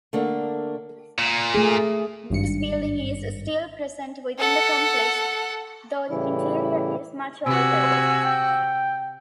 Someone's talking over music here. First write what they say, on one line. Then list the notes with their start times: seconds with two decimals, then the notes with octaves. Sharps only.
This building is still present within the complex, though the interior is much altered.
0.13 D3 A3 A#3 D4
1.18 A#2
1.55 A3 G#4
2.30 G#1 G2 C#7
4.39 A4 F#5
6.10 A2 C#3 E3 G3 E4
7.46 C3 F#4 G#5 E6
8.25 G5